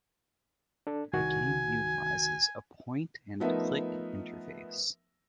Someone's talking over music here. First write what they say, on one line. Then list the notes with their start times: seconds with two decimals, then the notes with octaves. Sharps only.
The game utilizes a point and click interface.
0.87 D4 A4
1.13 C2 D#3 F#4 G#5
3.40 F3 A3 B3 D#4 A#4 E5